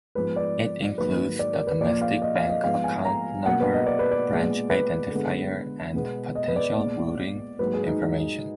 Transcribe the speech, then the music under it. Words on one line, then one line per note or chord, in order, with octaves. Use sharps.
It includes the domestic bank account number, branch identifier, and potential routing information.
G#2 F3 B3 B4
D5
G#2 D#3 F#3 A#3 B4
D5
A#4
B4
A#2 F3 A#3 D5
F5
D#5
F5
D#5
G#2 F3 B3 F5
G#5
A#5
B2 F#3 A#3 F#5
B4
D#5
D5
B4
D5
A#2 G#3 B3
B4
D3 G#3 B3
B2 G#3 B3
D#5
B4
D5
A#2 G#3 B3
G#2 F#3 A#3 B4
G#4
D#4